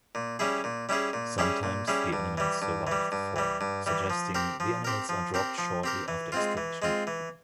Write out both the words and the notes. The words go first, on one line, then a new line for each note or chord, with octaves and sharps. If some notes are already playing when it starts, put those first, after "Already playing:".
Sometimes the animals survive the fall, suggesting the animals are dropped shortly after extraction.
A#2
G3 C#4 E4 G#4
A#2
G3 C#4 E4 G#4
A#2
G3 C#4 E4 G#4
A#2
G3 C#4 E4 G#4
G2
E3 G3
G2
E3 G3
G2
E3 G3
G2
E3 G3
F3
C4 G4 A#4
F3
C4 G4 A#4
F3
C4 G4 A#4
F3
C4 G4 A#4
E3
G#3 C4 F4
E3
G#3 C4 F4
E3